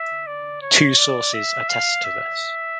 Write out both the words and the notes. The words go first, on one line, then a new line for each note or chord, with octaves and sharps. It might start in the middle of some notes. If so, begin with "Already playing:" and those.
Two sources attest to this.
Already playing: E5
D5
C#5
D5
E5
F5
E5